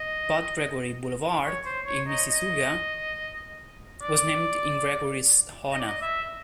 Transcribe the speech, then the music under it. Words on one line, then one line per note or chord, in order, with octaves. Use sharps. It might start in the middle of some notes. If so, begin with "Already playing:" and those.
Bud Gregory Boulevard, in Mississauga, was named in Gregory's honour.
Already playing: D#5
C#5
C5
C#5
D#5
D#5
D5
D#5
D5
D#5
E5